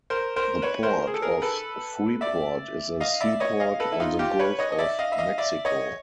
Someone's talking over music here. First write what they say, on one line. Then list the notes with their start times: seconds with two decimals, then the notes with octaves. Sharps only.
The Port of Freeport is a seaport on the Gulf of Mexico.
0.10 A#4 C5
0.36 A#4 C5
0.62 B4 C#5
0.83 A#4 C5
1.07 G#4
1.14 A4
1.22 G#4 A#4
1.42 A4 B4
2.21 D5 E5
3.00 D#5 F5
3.21 D5 E5
3.40 C#5 D#5
3.60 D#5 F5
3.80 A4 B4
3.92 E4
4.00 D#4 F4
4.19 F4 G4
4.39 B4 C#5
4.59 C#5 D#5
4.72 D#5
4.79 D5 E5
4.99 D#5 F5
5.12 E5
5.18 D#5 F5
5.38 D5 E5
5.65 C#5 D#5